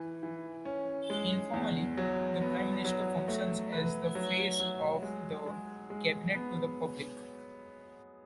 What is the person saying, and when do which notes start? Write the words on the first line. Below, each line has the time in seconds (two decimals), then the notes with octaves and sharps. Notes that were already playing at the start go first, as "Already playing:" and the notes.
Informally the Prime Minister functions as the "face" of the cabinet to the public.
Already playing: E3
0.23 E3
0.65 C#4
1.10 G#3
1.54 E2
1.97 F#3
2.41 B3
2.85 F#3
3.28 A3
3.72 B4
4.15 F#3
4.60 F#3
5.03 G#3
5.46 G#3
5.90 G#3
6.34 B3